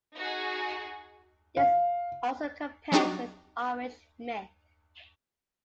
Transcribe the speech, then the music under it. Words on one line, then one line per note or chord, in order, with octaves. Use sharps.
This also compares with Irish myth.
D#4 F#4 G#4
F5
F#3 C4 D4 D#4 F#4 G4